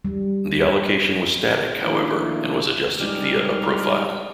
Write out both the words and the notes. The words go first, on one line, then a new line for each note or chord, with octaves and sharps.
The allocation was static, however, and was adjusted via a profile.
G3
D#3 F3 A3 A#3 D4 E4
G3 G#3 D#4 D5 F6